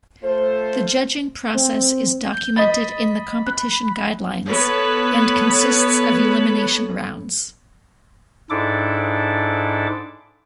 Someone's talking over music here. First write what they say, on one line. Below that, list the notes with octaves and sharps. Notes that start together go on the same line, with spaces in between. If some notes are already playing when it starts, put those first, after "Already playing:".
The judging process is documented in the competition guidelines and consists of elimination rounds.
A3 F4 A4 C5
C4
G6
D#5 B5 A6
F#6
B3 A4 B4 C#5
G#2 D4 E4 A4 D6